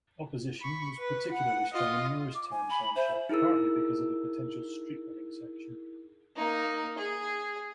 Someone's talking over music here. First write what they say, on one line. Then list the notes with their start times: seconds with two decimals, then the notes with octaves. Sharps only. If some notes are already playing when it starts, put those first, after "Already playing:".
Opposition was particularly strong in Moorestown Township, partly because of a potential street-running section.
0.61 B5 C#6
0.99 B4
1.32 F#5
1.74 F4 D#5
2.35 D6
2.51 G#5
2.70 B5
2.96 C5 E5
3.29 D#4 E4 G#4 A#4 E6
6.36 A#3 D#4
6.98 G#4